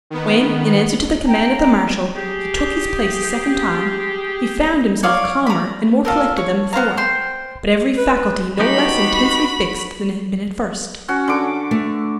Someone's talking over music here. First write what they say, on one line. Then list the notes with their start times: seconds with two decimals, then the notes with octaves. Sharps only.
When, in answer to the command of the Marshal, he took his place a second time, he found himself calmer and more collected than before, but every faculty no less intensely fixed than it had been at first.
0.10 D#3 B3
1.27 G5 A#5
2.15 G4 G#4
5.03 C#5 D5 F5
5.46 A#5 B5
6.05 F4 A4 A#4
6.38 C#5
6.73 B3 C5 F5 A#5
6.97 C5 G5 C6
7.98 B4
8.60 B3 D#4 F#4 G4 B5
11.08 C#4 F#4
11.28 D3 D6
11.71 A3